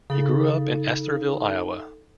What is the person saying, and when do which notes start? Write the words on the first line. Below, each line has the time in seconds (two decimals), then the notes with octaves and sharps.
He grew up in Estherville, Iowa.
0.10 C#3 D#4 A4